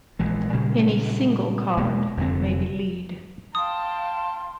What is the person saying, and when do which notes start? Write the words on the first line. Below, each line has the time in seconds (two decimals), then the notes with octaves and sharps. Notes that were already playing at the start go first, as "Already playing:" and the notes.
Any single card may be lead.
0.19 A#1 E3 G#3
0.53 A#2 C#3 G3 G#3
1.77 E1 B2 G#3 A#3
2.17 F1 F2 D3 C4
3.55 F5 G5 A5 C6 D#6